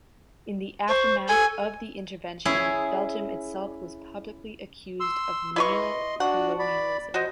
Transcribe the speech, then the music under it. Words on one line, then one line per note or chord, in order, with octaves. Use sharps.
In the aftermath of the intervention, Belgium itself was publicly accused of neocolonialism.
C5 C#6
A4 G#5
C#4 E4 G#4
C6 E6
E4 B4 D#5 C6 C#6
D4 F#4 F#5
D5 B5
F#4 C5 D#5